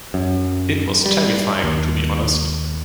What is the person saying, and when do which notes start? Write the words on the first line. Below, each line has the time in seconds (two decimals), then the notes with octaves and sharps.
It was terrifying, to be honest.
0.14 F#2
1.06 G3
1.64 D#2